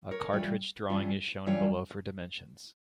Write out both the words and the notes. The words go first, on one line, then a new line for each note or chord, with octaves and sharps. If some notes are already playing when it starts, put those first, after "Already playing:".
A cartridge drawing is shown below for dimensions.
A#4 C#5
G2 E3 G3 C#4 F4
G2 E3 G3 C#4 F4
G2 E3 G3 C#4 F4 C#5 F5